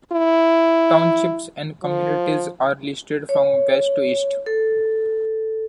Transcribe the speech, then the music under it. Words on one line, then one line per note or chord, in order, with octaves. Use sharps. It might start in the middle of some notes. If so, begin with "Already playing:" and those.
Townships and communities are listed from west to east.
E4
F3
C#5
A4